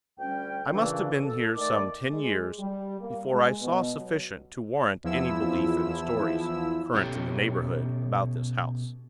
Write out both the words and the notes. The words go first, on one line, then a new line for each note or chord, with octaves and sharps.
I must have been here some ten years before I saw sufficient to warrant any belief in the stories, current in the neighborhood, about this house.
D2 G3 C#4 G5
A#2 C#3 E3 A3 D4
A4
D#3 A3 D5 A5 D6
G#3
G3
A#3
G#3
B2
F#3
E2 F3 E4 E6
B2 C#4 G4 A4 C#5 G5